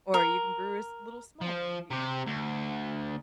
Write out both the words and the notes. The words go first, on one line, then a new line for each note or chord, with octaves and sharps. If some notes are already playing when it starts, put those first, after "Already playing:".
or you can brew a s little small one, if you want.
A#4
F3
C3 G4
D2